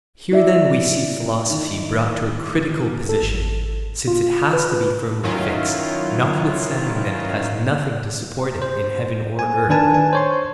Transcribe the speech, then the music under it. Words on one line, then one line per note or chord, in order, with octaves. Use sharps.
Here then we see philosophy brought to a critical position, since it has to be firmly fixed, notwithstanding that it has nothing to support it in heaven or earth.
E4 D5 E5
D#3 D#4
A4
G#1
F4
B4
D#3 F#3 C#4 E4 F4
C5
G#5
D#3 D4 B4 G#5 A5
G#5
C5 C#5 C6